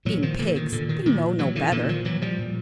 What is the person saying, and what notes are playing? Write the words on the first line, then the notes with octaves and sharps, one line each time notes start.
Being pigs they know no better.
A#2 E3 F#3
D#3 F3
A#2 D3 E3
D#3
A#2 D3
D#3
A#2 D#3
A#2 E3 F#3
D3 E3
A#2 D3 E3
D#3 F3
A#2 E3 F#3
F3 G3
A#2